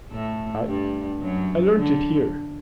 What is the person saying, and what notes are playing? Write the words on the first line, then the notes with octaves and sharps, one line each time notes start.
I-I learnt it here.
A2 A3
G2 G3
F#2 F#3
D3